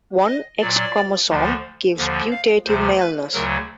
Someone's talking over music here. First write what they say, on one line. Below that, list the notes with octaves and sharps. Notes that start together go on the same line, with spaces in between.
One X chromosome gives putative maleness.
D#5
A#2 F#3 D5
D2 D3 F3
D#2 D3 F3
F5
D2 C3 F3 C5
B4
D2 C#3 F#3 A#4